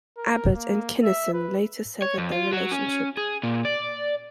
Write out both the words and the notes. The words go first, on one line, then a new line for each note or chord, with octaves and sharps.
Abbott and Kinison later severed their relationship.
A#4
A#3
E5
B4
C#5
F2
F4
F#3
C#4
G#4
A#2
D5